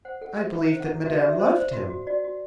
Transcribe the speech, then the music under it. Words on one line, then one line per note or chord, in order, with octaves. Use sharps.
"I believed that Madame loved him."
C5 F#5
A4 F#5
C5 E5
E4 E5
C5
F#5
E4
F#4 E5
D5
F#4
E5
C5
C5
F#4
F#4
F#4 D5
F#4